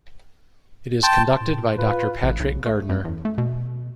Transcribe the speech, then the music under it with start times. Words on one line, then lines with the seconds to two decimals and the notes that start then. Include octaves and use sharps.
It is conducted by Doctor Patrick Gardner.
1.03 G5 A5 C6
1.40 A2
1.78 F4 B4
2.23 A1
2.40 B1
2.66 A3
2.89 F#2
3.05 E2
3.25 A3
3.38 B2